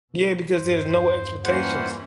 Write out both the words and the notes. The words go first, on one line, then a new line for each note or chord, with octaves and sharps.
Yeah, because there's no expectations.
B2
E2 G2 C5
E3 G3 A#3 C#4 F4 C5 F#5